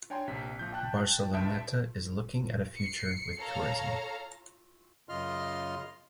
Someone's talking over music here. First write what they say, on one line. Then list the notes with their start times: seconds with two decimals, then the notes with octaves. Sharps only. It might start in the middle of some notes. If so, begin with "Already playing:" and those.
Barceloneta is looking at a future with tourism.
0.10 D4 C#5 G5 G#5 A#5 C6
0.27 A#1 C3 B6
0.59 A#1 F3 G6
0.73 G5 A5 F#6
1.33 C2 G2 E5 A5 G6 D7
2.77 C7 C#7
3.39 A4 C#5 F5 A#5
5.09 F#2 C#3 F4 D#5 C6 F6